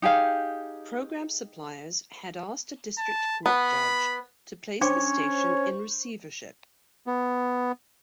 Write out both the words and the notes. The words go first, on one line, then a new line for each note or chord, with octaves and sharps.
Program suppliers had asked a district court judge to place the station in receivership.
D#4 G4 G#4 F5
A5
B3 B5
C#4 D4 C5 C#5 G5 C#6 D6
B3